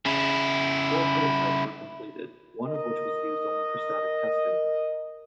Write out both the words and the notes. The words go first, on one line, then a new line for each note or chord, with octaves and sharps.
Four prototypes were completed, one of which was used only for static testing.
C#3 E4
A#4 D#5